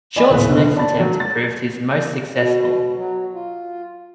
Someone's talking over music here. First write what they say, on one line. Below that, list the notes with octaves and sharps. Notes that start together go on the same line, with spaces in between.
Short's next attempt proved his most successful.
D5 D#5 G#5 B5
D#1 A2 B3 B4
B2 D3
D5 A5 B5 A6
F#3
A6
B2
F#3
F4